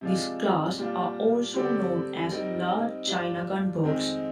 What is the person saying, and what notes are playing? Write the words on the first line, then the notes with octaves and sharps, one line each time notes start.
This class are also known as "Large China Gunboats".
C3 F3 G#3 D4 F4
A#2 G3 D4 F4
D3 G3 C4 G4 D5
G3 C4 D#4 A#4
G3 D4 F4
F2 D#3 G#3 C4 D#4